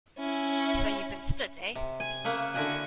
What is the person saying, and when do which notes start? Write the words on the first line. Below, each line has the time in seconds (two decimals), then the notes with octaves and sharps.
So you’ve been spilt, eh?
0.19 C#4 E4
1.75 C3
2.00 G#5
2.25 C#3 A#3 E5 F#5
2.54 D3 E4 F#4 F#5 G#5